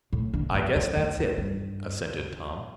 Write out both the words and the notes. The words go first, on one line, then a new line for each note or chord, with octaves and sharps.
"I guess that's it," assented Tom.
A2
D3
F2
F2
E2
F2
G2